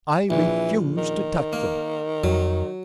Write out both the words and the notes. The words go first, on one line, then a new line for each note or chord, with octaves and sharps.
"I refuse to touch them."
A#1 E3
D#3
A#3
F2 F#3